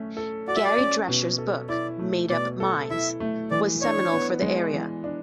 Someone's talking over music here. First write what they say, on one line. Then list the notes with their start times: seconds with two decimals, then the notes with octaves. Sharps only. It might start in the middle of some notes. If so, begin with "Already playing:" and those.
Gary Drescher's book 'Made-up Minds' was seminal for the area.
Already playing: A3 C#4
0.17 A4
0.48 F#4 D5
0.56 E5
0.64 D5
0.78 C#4
1.08 B2
1.38 A4
1.69 E4 D5
1.99 A3
2.29 B2 D5
2.60 A4
2.90 E4 E5
3.20 A3
3.51 E3 D5
3.81 D4 C#5
4.13 B3
4.42 G#3
4.73 E3
5.04 D4